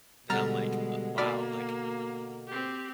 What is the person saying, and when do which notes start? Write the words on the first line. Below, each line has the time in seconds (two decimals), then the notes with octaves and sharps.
that I'm, like, uh, wow, like,
0.30 B2 D3 G3 G#3 A#5 F6 A6
1.18 A#3 F#4 D5 F#5 B5 F6
2.47 C4 G4